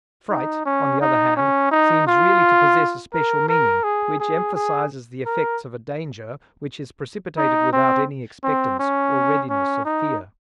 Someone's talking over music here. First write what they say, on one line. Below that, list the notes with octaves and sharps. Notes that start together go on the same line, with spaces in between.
Fright, on the other hand, seems really to possess a special meaning, which emphasizes the effects of a danger which is precipitated without any expectance or readiness of fear.
D#4
C#4
D#4
C#4
D#4
F4
A#4
A#4
G#4
G#4
G#4
A#4
D#4
C4
C4
C#4
C#4
D#4